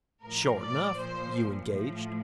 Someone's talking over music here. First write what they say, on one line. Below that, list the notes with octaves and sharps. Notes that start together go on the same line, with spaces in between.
"Sure enough, you engaged?"
A2 F3 A#4
D5
A#2 F3 C5
A2 F3